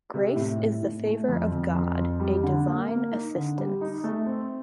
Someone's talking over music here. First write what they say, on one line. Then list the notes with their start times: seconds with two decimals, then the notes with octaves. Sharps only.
Grace is the favor of God, a divine assistance.
0.14 C3
0.36 A2
0.59 A2
0.83 A2
1.05 A3
1.28 F2
1.52 F2
1.75 F2
1.96 F2
2.20 G3
2.43 D3
2.67 A#3
2.88 A#3
3.11 D#4
3.35 D3
3.58 G3
3.81 D#4
4.04 A3
4.26 C4